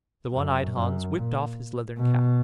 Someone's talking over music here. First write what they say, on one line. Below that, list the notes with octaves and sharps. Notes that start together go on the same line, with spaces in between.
The one-eyed Hans whipped off his leathern cap.
F#2
F#2
A#2
B2